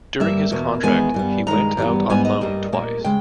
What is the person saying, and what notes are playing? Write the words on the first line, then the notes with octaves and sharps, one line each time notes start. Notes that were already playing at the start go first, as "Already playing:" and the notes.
During his contract he went out on loan twice.
G2 G3 A#3 E5
E2 B2 A#3
E2 D#3 G#3 B3 G#5
G2 G3 B3
G2 D#3 G#3 A#5
G2 E3 G3 B3
G#2 G3 B3 G#5
D#5
G2 G3 A#3
A#2 A#3
C#3 G#3 G5